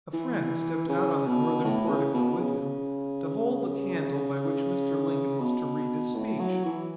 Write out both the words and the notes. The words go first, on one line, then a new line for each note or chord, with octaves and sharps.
A friend stepped out on the northern portico with him to hold the candle by which Mr. Lincoln was to read his speech.
E3
C#3
B2
A2
C#3
B2
C#3
B2
A2
F#3
E3